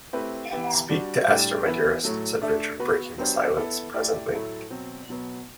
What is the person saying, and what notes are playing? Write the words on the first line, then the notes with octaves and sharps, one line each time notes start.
"Speak to Esther, my dearest," said Richard, breaking the silence presently.
A3 C4 E4 G4 B4
E3 B3 E4 G4
G3 D4 F#4
A2 G3 D4 G4 D5
E3 B3 E4 B4
A2 F#3 A3
A3 D4 A4 E5
B3 F#4 B4
F#3 B3 D4 G4 C5
B3 E4 A4
A3 E4 G4 D5
A2 F#3 A3 E4 A4
B2 F#3 C4
B2 F#3 B3